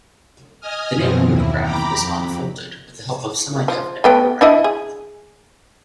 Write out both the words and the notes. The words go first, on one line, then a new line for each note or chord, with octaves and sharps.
The neighbourhood graph is "unfolded" with the help of semidefinite programming.
D#5 G#5 D#6 F6
F#2 B2 E3 F3 C4
D#2 E4
G5 A#5 B5 D6
F2
F3
A3 B3 G5
D4 E4 D#5
G#4